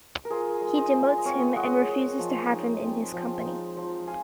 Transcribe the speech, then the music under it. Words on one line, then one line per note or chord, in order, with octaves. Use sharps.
He demotes him, and refuses to have him in his company.
A#4
F4 G#4 C5
G#3
C5 D#5
G#3
D#5
C4 C#5 F5
G#3 D#5 F#5
G#3
F3
D#4
C4
F3
D#4
F3
F5 G#5